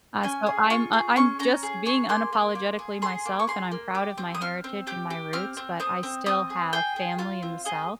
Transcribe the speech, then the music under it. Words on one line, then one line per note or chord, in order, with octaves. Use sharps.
Uh, so I'm uh, I'm just being unapologetically myself, and I'm proud of my heritage and my roots, but I still have family in the South
C#4 G#5
G#4
F4 C#6
G#4
C#4 C#6
C#4 A#5
G#4
G#4 C#6
A#3 C6
A#3
A#3
G#4
G#4 C6
A#3
C#6
G#4 C6
A#3
G4
C4
D#6
C4 F6
C4
G4 G6
G4
C4 F6
C4
C4 D#6
C4
C4 D#6
G#4
G#4 G5
G#4
F4 F5
C4
G#4 D#5